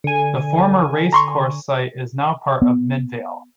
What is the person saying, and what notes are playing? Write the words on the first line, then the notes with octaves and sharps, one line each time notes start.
The former racecourse site is now part of Midvale.
D3 G#5
A#5 C6 C#6
B3